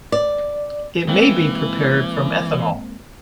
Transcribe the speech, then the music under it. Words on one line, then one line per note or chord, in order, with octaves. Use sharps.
It may be prepared from ethanol.
D5
E3 G#3 A#3 C4